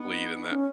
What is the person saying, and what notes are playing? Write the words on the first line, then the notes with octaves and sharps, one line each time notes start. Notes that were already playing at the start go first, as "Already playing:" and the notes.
lead in that
Already playing: B3 D#4
D#4
C#4